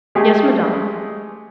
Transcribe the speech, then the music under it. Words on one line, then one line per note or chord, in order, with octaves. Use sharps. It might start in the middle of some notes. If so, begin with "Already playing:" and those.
"Yes, madame."
G#3 A3 G4 G#4